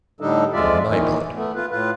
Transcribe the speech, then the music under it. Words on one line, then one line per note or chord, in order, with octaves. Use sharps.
In my blood!
A2 D3 G3 D4 D#4 A4
F2 G#3 F4 D5 E5
A#2 D#3 E3
A3 B3
F4 B4
A2 F4 B4